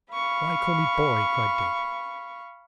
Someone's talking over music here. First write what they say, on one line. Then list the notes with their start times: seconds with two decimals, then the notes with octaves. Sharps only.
"Why call me 'boy'?" cried Dick.
0.11 F5 B5 C#6